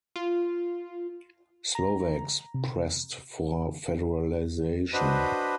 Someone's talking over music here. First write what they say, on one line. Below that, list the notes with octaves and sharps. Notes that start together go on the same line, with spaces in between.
Slovaks pressed for federalization.
F4
A#5
C3
D4 F#4 B4 C5 D#5 B5